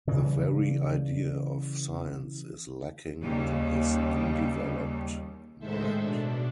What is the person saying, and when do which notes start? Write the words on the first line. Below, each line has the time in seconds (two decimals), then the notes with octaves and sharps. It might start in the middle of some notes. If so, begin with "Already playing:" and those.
The very idea of science is lacking in his undeveloped mind.
0.07 C#3 E3 G3
3.22 D#2 C#3 G3
5.59 A2 D#3 G#3 A4 C5 E5
5.97 B2 D4